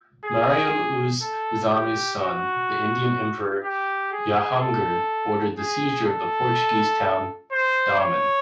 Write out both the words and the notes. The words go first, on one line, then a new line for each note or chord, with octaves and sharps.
Mariam-uz-Zamani's son, the Indian emperor Jahangir, ordered the seizure of the Portuguese town Daman.
G#4
A4
G4
F#4
G4
G#4
A4
G#4
A4
C5
C#5